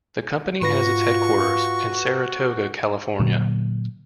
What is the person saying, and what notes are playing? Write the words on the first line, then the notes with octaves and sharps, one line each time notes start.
The company has its headquarters in Saratoga, California.
G#2 F4 F#4 B4 C#6 A#6
A#2 D3 F#3 A#3